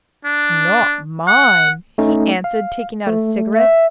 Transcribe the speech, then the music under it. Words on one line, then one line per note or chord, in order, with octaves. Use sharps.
'Not mine,' he answered, taking out a cigarette.
D4
F#5
A3 C#4 D#4
F5
A3
E5